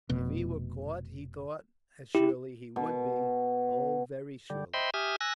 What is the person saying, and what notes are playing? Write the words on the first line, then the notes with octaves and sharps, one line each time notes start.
If he were caught, he thought, as surely he would be--oh, very surely!
F1 B2
E4 G4
B2
D3 G3
C5 D#5 E5 G5 B5 C6
G4 E5 G#5 D#6 F6
G#5 E6 F#6 A#6